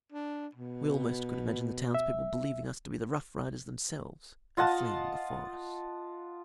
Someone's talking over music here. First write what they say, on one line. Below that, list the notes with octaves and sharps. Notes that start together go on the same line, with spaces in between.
We almost could imagine the townspeople believing us to be the Rough Riders themselves and fleeing before us.
D4
B2
E5
F4 D#5 F#5 A5